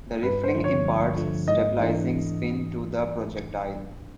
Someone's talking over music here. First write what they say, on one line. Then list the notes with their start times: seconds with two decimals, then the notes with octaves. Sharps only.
The rifling imparts stabilizing spin to the projectile.
0.23 G2 B4
0.44 C5
0.55 D3 F3 A3
0.64 C#5
0.85 G2
1.16 D3 F3 A3
1.48 G#2 D#5
1.79 E3 A3 D4